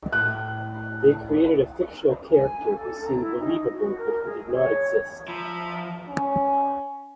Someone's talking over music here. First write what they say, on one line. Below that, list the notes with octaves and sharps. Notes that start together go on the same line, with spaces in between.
They created a fictional character-who seemed believable, but who did not exist.
A2 F#6
G#5
A4
A#5
E4
D#4
F#4
A#4
G#4
C#5
F3 E5 A#5 B5
C#4